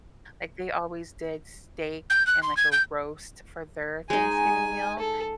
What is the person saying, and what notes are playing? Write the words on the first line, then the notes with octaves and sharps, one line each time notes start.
Like, they always did steak and, like, a roast for their Thanksgiving meal
G6
F#6
C6
G#6
G6
G#3 D#4 G#5
A4